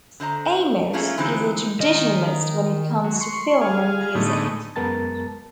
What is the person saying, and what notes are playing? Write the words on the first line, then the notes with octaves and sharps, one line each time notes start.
Amos is a traditionalist when it comes to film and music.
D3 C5 D#5 A#5
A3 A#3 C#4 F4 G#4 A4
D3 E3 F3 G#3 C4 D#4
D#3 D#5
F#3
C6 C#6
G#4 F5
A2 D3 G#3 A3 B3 D#4
F#2 G#3 B3 A#4 A5 A6